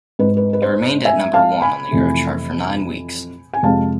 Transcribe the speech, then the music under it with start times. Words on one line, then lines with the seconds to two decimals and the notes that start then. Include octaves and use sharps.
It remained at number one on the Eurochart for nine weeks.
0.19 G#2 G#3 B4
0.37 B4
0.53 B4
0.62 C5
1.05 E5 G#5
1.34 F5 A5
1.62 G#5 B5
1.91 F2 C3 E3 A3
3.54 G#5
3.63 F2 C3 G#3 F5 A5